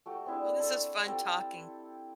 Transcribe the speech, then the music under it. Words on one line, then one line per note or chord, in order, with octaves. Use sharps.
Well, this is fun talking.
A3 F#4 G4
C4 D4 E4 G#4
A4 C5
C4 G4 A4